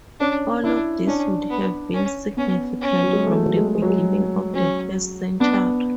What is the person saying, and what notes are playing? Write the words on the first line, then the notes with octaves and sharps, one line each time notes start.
All of these would have been significant from the beginning of the first century.
C#4 D4
D4 E4
C#4 D4
B3
C#4
B3 C#4
C#4
F#3
G#3
A3
A3
F#3
G#3
A3
G#3
F#3
G#3
F#3 C#4
B3 D4